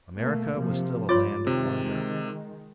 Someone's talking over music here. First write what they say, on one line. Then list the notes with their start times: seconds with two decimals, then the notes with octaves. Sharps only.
America was still a land of wonder.
0.13 B2 A3 A#3
0.56 C3 F3
1.09 G2 F4 C#5 C6 D6 A6
1.47 C3 D#3 G#3